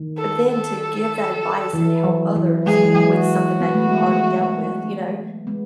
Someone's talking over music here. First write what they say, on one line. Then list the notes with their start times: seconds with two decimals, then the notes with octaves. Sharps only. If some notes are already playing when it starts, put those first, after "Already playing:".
b then to give that advice and help others with something that you've already dealt with, you know,
Already playing: D#3
0.17 A4
0.49 A4
1.73 E3
2.04 F#3
2.36 E3
2.66 G#3 G#4
2.76 F#3
2.85 E3
2.94 F#3
3.13 F#4
3.60 B3
3.74 A3
3.88 G#3
4.02 A3
5.47 G#3 B3